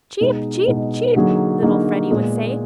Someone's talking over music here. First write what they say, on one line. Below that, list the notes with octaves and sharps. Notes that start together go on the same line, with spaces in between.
"Cheep, cheep, cheep!" little Freddy would say.
B2 G#3 D#4
B2 G#3 D#4
D3 F#3 A#3 D#4 G#4
D3 F#3 A#3 D#4 G#4
A#2 G#3 B3